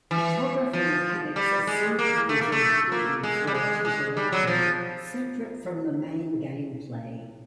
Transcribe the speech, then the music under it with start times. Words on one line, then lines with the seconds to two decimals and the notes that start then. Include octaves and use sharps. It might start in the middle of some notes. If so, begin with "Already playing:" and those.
Photography mechanics are sometimes included for titillation separate from the main gameplay.
0.11 E3
0.73 F3
1.36 G3
1.67 G#3
1.99 A#3
2.29 A3
2.41 A#3
2.52 A3
2.92 A#3
3.23 G#3
3.47 G3
3.54 G#3
3.85 G#3
4.17 G3
4.32 F#3
4.47 F3